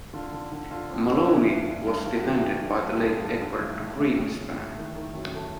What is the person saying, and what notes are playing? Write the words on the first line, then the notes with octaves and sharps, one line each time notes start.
Molony was defended by the late Edward Greenspan.
D3 F4
D3
D3
D3 F4
F2
D3
E3
G2
G2
G2
G2
F#4
E3 G4
F#4
G#4
G2 G4
D3
G2
G4
D3 G#4
G2
G2
A2
A2
A2
A2 G#4
A2
A2
D#3
D#3
F#2
A4